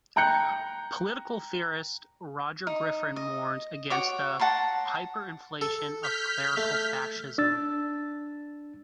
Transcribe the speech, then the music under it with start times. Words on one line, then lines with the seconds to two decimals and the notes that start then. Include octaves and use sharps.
Political theorist Roger Griffin warns against the "hyperinflation of clerical fascism".
0.16 G5 A#5 F#6 G6 C#7
2.67 D#4
3.16 D#5
3.90 F#4 C#5 D6
4.39 F#5 A5 A#5 C6
5.61 A4
6.03 F6 G6 B6
6.57 A3
7.38 D4 E6 A6